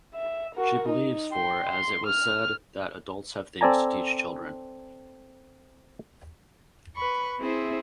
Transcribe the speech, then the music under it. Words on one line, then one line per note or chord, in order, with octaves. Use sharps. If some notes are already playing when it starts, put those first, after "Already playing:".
She believes for as it was said that adults have things to teach children.
E5
F#4 A#4
D#4
G5 C6
C6
F6
C4 A4 D5 G#5 A#5
B4 B5 C#6
C4 E4 G#4 C5 E5